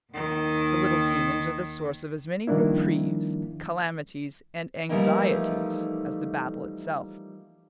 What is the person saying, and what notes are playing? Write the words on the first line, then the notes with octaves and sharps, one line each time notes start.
The little demons are the source of as many reprieves, calamities, and anxieties as the battle itself.
D#2 D#3
D#3 F3 G3 A#3 D4 E4
E3 F3 G3 A3 A#3 D#4